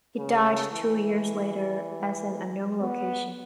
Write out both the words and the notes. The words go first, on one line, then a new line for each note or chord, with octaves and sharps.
He died two years later at an unknown location.
C#3
E3
B3